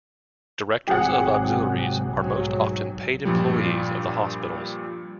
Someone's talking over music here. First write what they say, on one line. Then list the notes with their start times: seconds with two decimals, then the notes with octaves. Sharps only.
Directors of auxiliaries are most often paid employees of the hospitals.
0.87 G#1 C3 F#3 G4 G#4 F#5
2.11 B1 G#2 F#3
3.25 G2 A#2 F3 G3